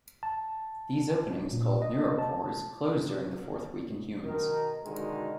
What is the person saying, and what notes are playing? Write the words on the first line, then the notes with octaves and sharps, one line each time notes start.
These openings, called neuropores, close during the fourth week in humans.
A5
A#2
D#5
A5
B2 D#3 D#4 A#4
B2 D3 D#3 G#3 D#4 F#4